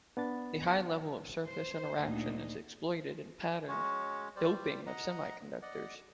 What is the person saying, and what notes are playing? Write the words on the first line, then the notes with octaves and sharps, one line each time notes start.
The high level of surface interaction is exploited in patterned doping of semiconductors.
B3 D4 A6
C5
D2 A#2 D4 D#4
G#3 C#4 F#4 C#5
G3 C5 D5
D#5 F#5 A#5
D5 D#5 F#5